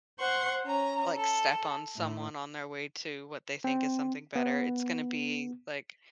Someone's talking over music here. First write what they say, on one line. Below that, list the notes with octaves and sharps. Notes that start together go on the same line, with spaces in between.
like, step on someone on their way to what they think is something better. It's gonna be, like
C5 F#5 C6 C#6
C#4 A#5
A4
A2
C4
B3